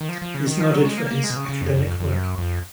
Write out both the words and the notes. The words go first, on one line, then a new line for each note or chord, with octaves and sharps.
He is noted for his academic work.
D#3
F3
F3
C#3
D#3
F3
F#3
G#3
A#3
A#3
G#3
B2
C#3
C#3
F2
F2
F2
F2
F#2
F2